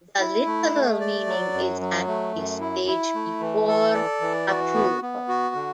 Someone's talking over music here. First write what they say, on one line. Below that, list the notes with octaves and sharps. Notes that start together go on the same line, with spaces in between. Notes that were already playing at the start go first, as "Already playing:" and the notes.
The literal meaning is at a stage before approval.
E4
A3
A3
D5
F#3
F#2
F#3
A3
F#2
E4
E4
A3
E3
A4
D5
E3
F#4
B3
B3
F#4
D3